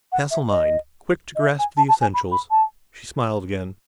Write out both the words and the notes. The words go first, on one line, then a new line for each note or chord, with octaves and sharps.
"Facile mind--quick to grasp the essentials." She smiled again.
F#5
E5
D#5
D#5
E5
G#5
A5
A5
G#5
B5
B5
A5